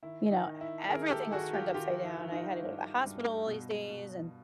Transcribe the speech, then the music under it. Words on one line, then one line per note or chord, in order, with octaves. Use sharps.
you know, e everything was turned upside down, I had to go to the hospital these days and
D#3 E4
D#4
D#3
E4
D#3 G#4 A#4
G4 A4
D#3 F#4 G#4
F4 G4
D#3 F4 G4
E4
D#3
D#4 F4
G2
G2
B2
B2